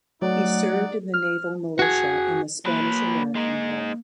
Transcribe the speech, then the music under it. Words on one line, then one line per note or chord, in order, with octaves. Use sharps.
He served in the naval militia in the Spanish-American War.
F#3 A3 D#4 D5 F#5
F6
F#4 G#4
F#3 A#3 B4
G#3 D#4